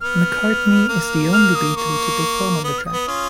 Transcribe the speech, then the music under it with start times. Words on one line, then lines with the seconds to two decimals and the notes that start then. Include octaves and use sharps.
McCartney is the only Beatle to perform on the track.
0.01 B3 F6
0.89 A#3
1.33 F6
1.55 D#6
1.76 A#3 C#6
2.64 B3 D#6
2.78 F6
2.86 D#6
2.93 B3
3.08 C#4 F4